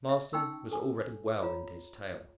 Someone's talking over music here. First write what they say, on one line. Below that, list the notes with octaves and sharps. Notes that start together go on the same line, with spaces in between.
Marsden was already well into his tale...
E5
C#4 D#4 G5 C6 C#6 E6
A4 G#5
F4 C#5 A#5